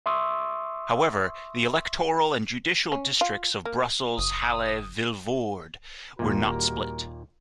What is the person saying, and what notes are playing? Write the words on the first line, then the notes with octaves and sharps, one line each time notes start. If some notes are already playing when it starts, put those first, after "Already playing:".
However, the electoral and judicial districts of Brussels-Halle-Vilvoorde were not split.
E5 C6 C#6 D#6 E6
C#4
F4
A#3
F#1 D#6
D#2 A#2 G3 F#4 A#4